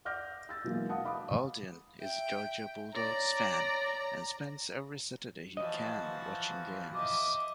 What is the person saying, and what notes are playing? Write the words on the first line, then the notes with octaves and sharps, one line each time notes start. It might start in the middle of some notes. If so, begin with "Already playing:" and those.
Aldean is a Georgia Bulldogs fan and spends every Saturday he can watching games.
D5 F#5 D6 F6 G6 A#6
E6 A6
B2 E3 F#3 G#3 A#3
F5 F#5 A5 D#6
D#5 F5 B5 D6 D#6
E5 G5
C#5 D5 A#5 A#6
E3 F3 F#4 D#5 A5
D#5 E5 D6